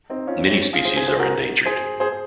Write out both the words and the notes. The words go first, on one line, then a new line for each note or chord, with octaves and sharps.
Many species are endangered.
C4 D#4
C#4 F4
C#4
C4
C#4
F4 G#4
G#4 C5
G#4 C5
G#4 C5
F#4 A#4
G#4 C5
G#4 C5